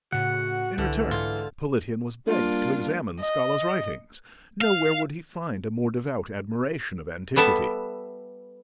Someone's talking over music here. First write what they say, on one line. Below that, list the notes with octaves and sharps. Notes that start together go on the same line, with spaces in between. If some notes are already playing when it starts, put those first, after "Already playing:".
In return, Politian was begged to examine Scala's writings: nowhere would he find a more devout admiration of antiquity.
A2 C#3 F#4 F#5
C2 D3 E3
G#2 F4
G3 A#3 D4 F4
D#5
F5
G3 B3 A4 E5